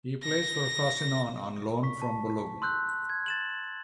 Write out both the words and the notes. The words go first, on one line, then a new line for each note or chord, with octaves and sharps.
He plays for Frosinone on loan from Bologna.
A#6
C#6 B6
A5
C6 E6 F#6 G6
G#6
A6 E7 F#7